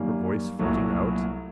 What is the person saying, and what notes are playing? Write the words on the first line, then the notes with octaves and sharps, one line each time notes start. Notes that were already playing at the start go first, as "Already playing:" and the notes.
Her voice floating out.
Already playing: F#2 D#3 G3 A#3
C2 A#2 F#3 A3